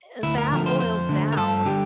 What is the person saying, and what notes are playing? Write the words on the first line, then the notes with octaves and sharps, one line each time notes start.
eh, that boils down
D2 E4
A#4
D3 F3 A3 A#4
C5
F2 C5
D3 A3
A#4
G2 A4
D3 G3 G4